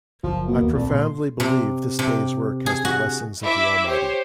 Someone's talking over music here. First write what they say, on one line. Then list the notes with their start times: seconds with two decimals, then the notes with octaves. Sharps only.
I profoundly believe this day's work has the blessings of the Almighty.
0.23 F#1 F3
0.47 B2 A#3
0.61 D#2
0.75 A#1 F2 D3 A3 D5
0.89 A#2 G3 C6
1.40 C3
1.99 C3
2.66 G#4
2.85 F#4
3.42 E4 E5 D6
3.86 G4 C5 C#5